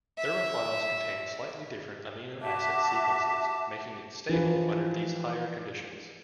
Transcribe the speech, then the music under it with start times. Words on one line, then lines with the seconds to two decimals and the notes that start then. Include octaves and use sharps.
Thermophiles contain slightly different amino acid sequences making it stable under these higher conditions.
0.18 E5
2.42 F#4 E5 A5 D6
4.29 E3 F3 B4